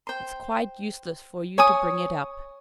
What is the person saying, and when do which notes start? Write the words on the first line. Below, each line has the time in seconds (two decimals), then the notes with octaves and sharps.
It's quite useless for you to bring it up.
0.07 C5 G5 C6
1.58 C#5 G#5 D#6